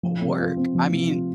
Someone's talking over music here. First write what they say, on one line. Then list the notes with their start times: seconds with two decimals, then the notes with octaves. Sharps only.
work. I mean,
0.03 F3
0.22 C3
0.39 F4
0.57 C4
0.75 F3
0.92 C3
1.10 F4